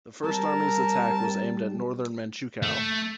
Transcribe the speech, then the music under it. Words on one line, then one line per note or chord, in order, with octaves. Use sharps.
The First Army's attack was aimed at northern Manchukuo.
G3 C4 A#4 A5
A3